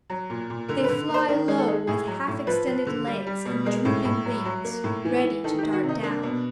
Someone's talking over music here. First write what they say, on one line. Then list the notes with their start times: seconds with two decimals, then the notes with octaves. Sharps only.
They fly low with half-extended legs and drooping wings, ready to dart down.
0.10 F#3
0.30 A#2
0.50 A#2
0.68 D3 A#4
0.84 B4
0.89 D3
1.08 A#3
1.14 C5
1.28 D#3 A#4
1.48 G#3
1.58 A4
1.68 G#3
1.87 A2 G#4
2.07 F#3
2.28 A2
2.47 F3 B4
2.67 F3
2.87 D3
3.07 G3
3.27 G3
3.45 B2
3.65 G#3 A#4
3.85 A2
4.05 A2
4.25 F#3
4.45 F#3
4.64 A#3
4.84 A2
5.05 E3
5.24 E3
5.44 D#3 A4
5.58 G4
5.63 D#3
5.73 F#4
5.83 C3
5.89 D#4
6.03 A#3 D4
6.23 B2